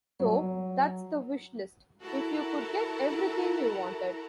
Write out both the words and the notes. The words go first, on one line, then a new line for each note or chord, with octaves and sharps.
So, that's the wish list, if you could get everything you wanted.
F#3
E4 F#4 A4 A#4 A5 A#5